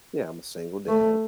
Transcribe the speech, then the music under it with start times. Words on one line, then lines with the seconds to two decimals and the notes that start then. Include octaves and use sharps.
yeah, I'm a single dad.
0.88 A3